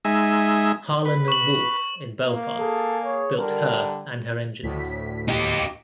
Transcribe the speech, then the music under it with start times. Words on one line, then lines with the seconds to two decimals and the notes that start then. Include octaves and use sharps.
Harland and Wolff in Belfast built her and her engines.
0.05 G#3 D#4 E5
1.05 B4
1.28 C#6 F#7
2.28 A#3
2.58 G#4 A4
3.05 C#5
3.39 D3 G3 A#4
4.63 D2 A2 B6
5.29 D#4 G4